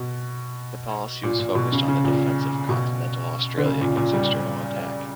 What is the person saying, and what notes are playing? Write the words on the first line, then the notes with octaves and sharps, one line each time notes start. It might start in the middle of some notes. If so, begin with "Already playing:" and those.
The policy was focused on the defence of continental Australia against external attack.
Already playing: B2
A#2
A#2
B2
C#3
C#3
A#2
B2
D3
C#3
A#2
A#2
G3